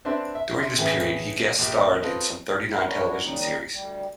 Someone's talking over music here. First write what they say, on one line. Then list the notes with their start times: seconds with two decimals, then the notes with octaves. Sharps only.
During this period, he guest starred in some thirty-nine television series.
0.05 C4 D4 B4 E5 A5 C6
0.35 E5
0.58 E5 C6
0.79 A2 C#3 E3
1.59 A#1 G4
2.02 C4 F4 A4 B4 D#5
2.70 A3 B3 C4 D4 E4 F#4
2.85 B3 D4 E4 A#4 C#5
3.21 D#2 C#3 G3 D#4
3.72 D2 G3